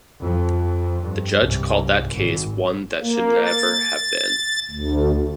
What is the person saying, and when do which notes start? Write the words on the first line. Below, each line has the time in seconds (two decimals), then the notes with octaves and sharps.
The judge called that case one "that should never have been".
0.20 F2 F3
1.03 G2
1.39 C2 G#2
2.13 G#1
3.02 A#3
3.45 A6
4.71 D2